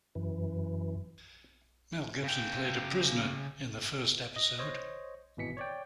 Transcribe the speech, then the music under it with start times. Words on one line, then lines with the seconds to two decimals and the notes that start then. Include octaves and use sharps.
Mel Gibson played a prisoner in the first episode.
0.15 F#2 E3
2.24 C#3 G5
4.36 D#5
4.59 C5 C#5 D#5
5.37 G#1 B2 E3 B6 C#7
5.57 C#5 D5 G5